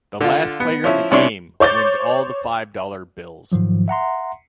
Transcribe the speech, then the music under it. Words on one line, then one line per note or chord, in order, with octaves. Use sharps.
The last player in the game wins all the five dollar bills.
D3 F4
B3
F3 C#4 E4
C2 C3 C#4 D4 E4 C#6
C5 C#5 D6 G6 A6
G#2 D#3 F3 F#3
E5 F#5 A#5 C6